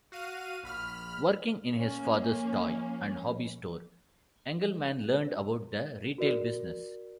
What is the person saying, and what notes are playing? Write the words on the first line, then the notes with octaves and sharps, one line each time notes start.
Working in his father's toy and hobby store, Engelman learned about the retail business.
F#4 F5 D#7
A#1 B5 F6
F3 A#3 C#4
F#4 A#4 D5